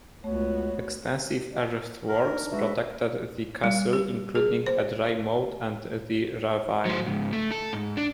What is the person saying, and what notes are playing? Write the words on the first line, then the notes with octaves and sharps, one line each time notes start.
Extensive earthworks protected the castle, including a dry moat and the ravine.
C#2 A3 B3 F#4 C#5
A#4
D4 D#4
G#3 F#4 B4 E5
G3
G4
G#4
C5
F#3 C5
C#2 G#2
A3
A4
G#2
D4